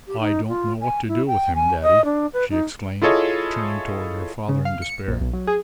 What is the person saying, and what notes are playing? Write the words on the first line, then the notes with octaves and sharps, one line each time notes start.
"I don't know what to do with him, daddy!" she exclaimed, turning toward her father in despair.
G4
D#4
F4
G#5
E4
G5
G#5
D#5
D4
B4
D#4
E4 F4 G#4 A4 C#5 D#5
C#3
F5
C#7
A#1
B1
F#3
G#4